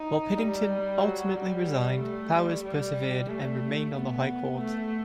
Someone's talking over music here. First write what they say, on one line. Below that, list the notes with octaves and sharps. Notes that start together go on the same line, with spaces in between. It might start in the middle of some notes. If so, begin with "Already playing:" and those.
While Piddington ultimately resigned, Powers persevered, and remained on the High Court.
Already playing: D#4
G3
F#3
G3
A3
G3
G3
A3
B3
A3